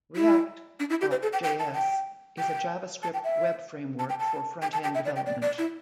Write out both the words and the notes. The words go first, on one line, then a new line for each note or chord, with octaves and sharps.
React.js is a JavaScript web framework for frontend development.
E4
D4
E4
G4
C5
A4
G5
G5
A5
G5
G5
A5
G5
E5
A5
G5
A5
G5
A5
G5
E5
D5
G5
D5
D5
E4